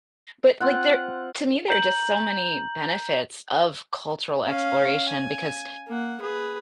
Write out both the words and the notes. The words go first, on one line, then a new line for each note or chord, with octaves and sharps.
But, like, there to me, there are just so many benefits of cultural exploration because
C4 F4 F#5
A#5 G6 F#7
C#4 F5
G#5
A#3 F#5
G#4 B4